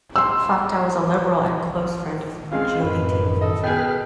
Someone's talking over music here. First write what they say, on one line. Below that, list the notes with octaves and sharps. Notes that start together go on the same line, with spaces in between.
Facta was a Liberal and close friend of Giolitti.
C6 E6
C#3 G#3 C4 F4 F5
F#2 A2 D#3 B4
A4 D#5
B2 G#4 B4 G5 F6